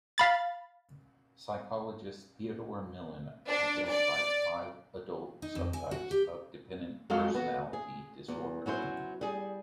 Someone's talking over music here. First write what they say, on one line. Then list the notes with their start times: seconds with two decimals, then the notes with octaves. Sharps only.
Psychologist Theodore Millon identified five adult subtypes of dependent personality disorder.
0.18 F5 B5 A6
3.47 D4
3.89 D5
5.42 D#4
5.55 F2
5.73 G#5
5.91 F#4
6.11 G4
7.10 F2 F#3 G#3 A4 F5
7.34 B3 F#4
7.73 G#4
8.28 E2
8.66 F#3 C#4 E4 C5
9.21 G3 G#4